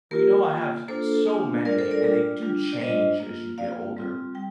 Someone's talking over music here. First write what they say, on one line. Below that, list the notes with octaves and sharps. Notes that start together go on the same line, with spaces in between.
Well, you know, I have s so many, and they do change as you get older.
A#3 F4 G4 A#4
A#3 F4
A#3 D4 F4 A4 C5
A#3 D4 F4
G3 D4 F4 A#4 D5
A4 C5
A#4 D5
G3 D4 F4
G3 D4 F4
D5
G3 D4 F4 C5 D#5
A#3 F4
A#3 F4 D5 F5
G3 C4 F4
G3 G5